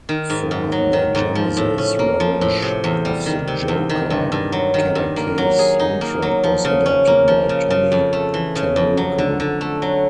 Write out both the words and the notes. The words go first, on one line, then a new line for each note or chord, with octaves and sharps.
For the Genesis "Revenge of the Joker", Kodaka's soundtrack was adapted by Tommy Tallarico.
D#3
G#2
G#2
F#3
D#3
G#2
F3
A2
C#4
A#3
F3
A2
C3
E2
G3
D#3
C3
E2
D#3
G2
G2
F#3
D#3
G2
A#3
F#3
G#4
D#4
A#3
F#3
F3
C#3
C#4
A#3
F3
C#3
C#3
F2
A3
E3
C#3
F2
F#3
D3
D3
A3
F#3